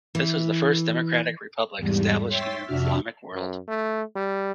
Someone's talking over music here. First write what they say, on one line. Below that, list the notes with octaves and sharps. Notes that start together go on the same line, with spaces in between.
This was the first Democratic Republic established in Islamic World.
E3
E2 G#2 G3
C#5 E5 G5 C6 A6 B6
F2 C3 D4 F#4 E5 F6
F#2
A3
G3